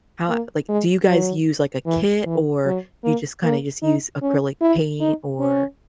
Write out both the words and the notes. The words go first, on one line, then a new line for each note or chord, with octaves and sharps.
How a like, do you guys use, like, a kit, or do you just kinda just use acrylic paint? Or
A#3
G#3
F#3
E3
E3
F#3
A#3
A#3
D#4
C#4
E4
D#4
C#4